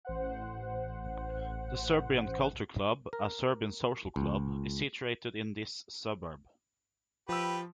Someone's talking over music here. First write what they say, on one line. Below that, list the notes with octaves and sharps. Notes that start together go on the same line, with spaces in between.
The "Serbian Cultural Club", a Serbian social club, is situated in this suburb.
A1 C5 F#5
A#4
C#2
F3 G4 B4 E6